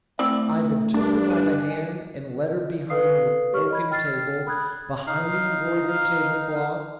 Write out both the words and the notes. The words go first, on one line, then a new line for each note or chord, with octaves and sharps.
Ivan took her by the hand and led her behind the oaken table, behind the embroidered tablecloth.
A3 C4 E4 D5
G2 D4
G#5 F#6
A4 B4 F5 D#6 C7
G4 C#5 C#6 F6
D#5 B5 G#6
G5 F6 A6 C7
B5 D#6 F#6 G#6
D#4 F5